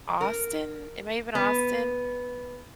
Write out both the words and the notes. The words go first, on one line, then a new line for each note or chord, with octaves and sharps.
Austin, it may have been Austin
A#4
B3